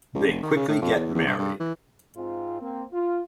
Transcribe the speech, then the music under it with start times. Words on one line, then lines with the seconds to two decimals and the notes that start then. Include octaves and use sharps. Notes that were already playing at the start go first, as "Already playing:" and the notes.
They quickly get married.
0.15 C#2
0.27 F1
0.43 D#3
0.56 C#3
0.68 A2
0.82 F2
0.96 E2
1.15 E2
1.27 G2
1.39 G2
1.60 E3
2.17 G#2 C4 F4
2.61 A#3 C4
2.92 F4